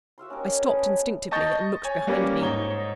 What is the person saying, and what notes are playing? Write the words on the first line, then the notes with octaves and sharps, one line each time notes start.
I stopped instinctively, and looked behind me.
F#4 E5 F5 C6
C#4 D#4 G4 A#4
A3 B3 C#4 D#5
A3 B3
D#5 A5 C#6 G6 A6 A#6
C#5 G#5
G3 A#3 C#4 G4 B4 D5
G#2 D#4 C#5 G7